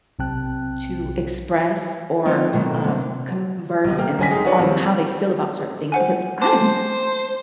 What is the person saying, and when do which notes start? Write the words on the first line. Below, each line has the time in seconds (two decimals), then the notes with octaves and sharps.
to express or, um, converse and on how they feel about certain things, because I am f
0.19 B1 C3 C4 G5 A5 F#6
2.25 F3 A#3 C4 D#4 F4
2.53 B2 D#3 F#3 A3 A#3
2.84 C3 A#3
3.84 B1 C3 D#3
3.98 A#3 G5 F6
4.18 B1 D3 C#4 G#5 A#6 B6
4.30 G#3 D#4 G#4 G#5
4.45 F#4 G#4 B4 C#5 D5
4.58 D#3 F3 G3 C4
5.92 C5 F#5 G#5
6.42 C5 A5 D6